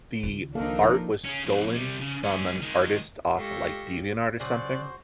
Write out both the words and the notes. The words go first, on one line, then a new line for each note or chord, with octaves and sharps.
The art was stolen from an artist off of, like, DeviantArt or something.
C#2 D#3
F3 A#3 D4 D#4 A4 F5
C#4 G#4
F2 B2
C3 G3
C#3
G#2 C#4
D#3 G#3
G#3 F4 G4 A4 C#6 A#6
C#3 F#3 F#4 C5 D5 F#6